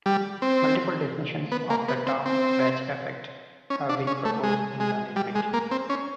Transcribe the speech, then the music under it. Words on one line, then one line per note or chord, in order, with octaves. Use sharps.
Multiple definitions of the term "batch effect" have been proposed in the literature.
G3
C4
B3
A#3
B3
C4
C4
C#4
D4
C#4
A3
G#3
G#3
G3
G#3
A#3
C4
C#4